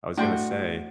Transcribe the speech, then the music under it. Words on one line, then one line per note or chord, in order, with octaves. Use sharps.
I was gonna say,
A2 D4 F#4 G5 C6 C#6